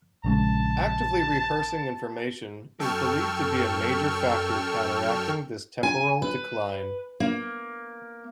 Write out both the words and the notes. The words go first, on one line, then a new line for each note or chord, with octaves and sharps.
Actively rehearsing information is believed to be a major factor counteracting this temporal decline.
A#1 C#3 G#3 A5
F#2 A4 G5 C#6 E6 F6
G#5
B4
A#3